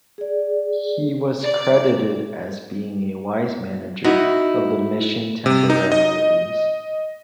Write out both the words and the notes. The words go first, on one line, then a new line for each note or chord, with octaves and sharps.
He was credited as being a wise manager of the mission temporalities.
G#4 D5
D5
D#4 E4 F#4
C3
D#4
D#5